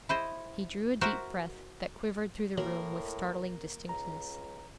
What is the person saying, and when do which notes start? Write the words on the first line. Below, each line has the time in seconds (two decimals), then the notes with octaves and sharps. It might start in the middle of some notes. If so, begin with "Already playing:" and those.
He drew a deep breath that quivered through the room with startling distinctness.
0.09 E4 C5 D#5
1.01 F#4 A#4 C5 E5
2.58 A2 F#3 A#3 A#4
3.89 C#2 A#5